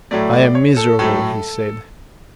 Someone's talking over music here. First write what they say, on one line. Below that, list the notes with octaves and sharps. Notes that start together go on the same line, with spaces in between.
"I am miserable," he said.
A2 F#3 A3 D5
D5
C#5
A4
A2 F#3 A3 A4